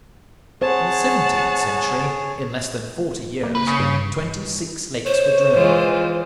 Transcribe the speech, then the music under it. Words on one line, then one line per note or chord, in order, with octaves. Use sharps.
In the seventeenth century, in less than forty years, twenty-six lakes were drained.
G#4 C5 C#5 F#5 A5
A#3
A#4 B4
C#3
G2
C5 C#5
E3 G#3 F4